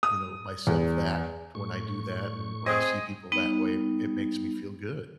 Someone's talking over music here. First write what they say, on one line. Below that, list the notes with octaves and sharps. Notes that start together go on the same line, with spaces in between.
you know, myself that when I do that and when I see people that way, it makes me feel good.
D#6
E2
A2 C#6
C4 G#4 D#5
G3 B3 D#4